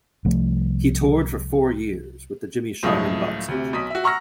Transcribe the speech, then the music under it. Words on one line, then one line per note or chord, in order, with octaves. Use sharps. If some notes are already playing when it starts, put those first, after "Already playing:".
He toured for four years with the Jimmy Sharman Boxing Troupe.
C2 F3 A3
C#2 A2 F3 F#3 F5 D#6
D2 C3
B1 D#6 B6
F#4 E5
F#5 A#5 C#6 E6 F6 A#6